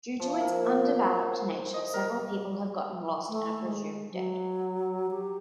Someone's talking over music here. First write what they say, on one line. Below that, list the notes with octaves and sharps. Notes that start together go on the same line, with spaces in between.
Due to its undeveloped nature, several people have gotten lost and are presumed dead.
F3
A#3
C5
D#5
A#4
A3
G#3
F#3
G4